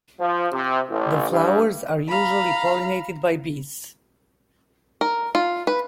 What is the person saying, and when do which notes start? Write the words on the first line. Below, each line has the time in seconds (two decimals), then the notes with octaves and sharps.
The flowers are usually pollinated by bees.
0.19 F3
0.52 C3
0.89 A1
1.30 G2
2.09 F5 A#5 B5
5.01 A#4
5.35 F4
5.67 B4